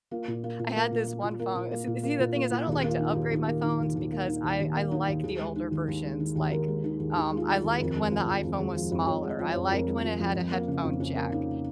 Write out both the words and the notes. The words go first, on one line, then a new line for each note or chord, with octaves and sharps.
I had this one phone s see, the thing is I don't like to upgrade my phones because I I like the older versions, like, um, I like when the iPhone was smaller, I liked when it had a headphone jack,
A#3 F4
A#2
A#3
A#2
A#3
A#2
A#3
A#2
A#3 A#4
A#2
A#3
A#2
A#3
A#2
A#3
A#2
D#2 G#4
A#3 F4
D#3
D#4
D#2
D#2 D#4
A#3
D#3
D#2
D#2
A#3
D#3
D#2
D#2 D#4
A#3
D#3 D#4
D#2
D#2 G#4
G#3
D#3
D#2
D#2
G#3
D#3
D#2
D#2 A#4
G#3
D#3 G#4
D#2
D#2 D#4
G#3
F4
D#3
G#4
D#2
F2 A#4
G#3
F3
F2
F2
G#3
F3
F2
F2 C#5
G#3
D#5
F3
F2 C#5
F2 A#4
G#3
F3
F2
F2
A#3
C#3
F2
F2 C#4
A#3
C#3 D#4